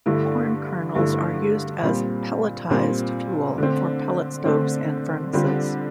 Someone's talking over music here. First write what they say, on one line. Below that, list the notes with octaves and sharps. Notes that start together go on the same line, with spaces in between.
Corn kernels are used as pelletized fuel for pellet stoves and furnaces.
G2 D3 A3 E4
G2 D3 A3 E4
A#2 G3 C4
A#2 G3 C4
D3 A3 C4
D3 A3 C4
D3 G3 C4 F4